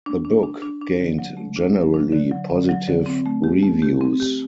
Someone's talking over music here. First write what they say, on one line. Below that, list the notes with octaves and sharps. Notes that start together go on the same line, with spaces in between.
The book gained generally positive reviews.
D4
D4
D4
D4
D4
D3
F#3
A3
D4
F#3
D4
D3
F#3
D3
F#3
D3
C4
A3
G4
A3
G4
C4
G4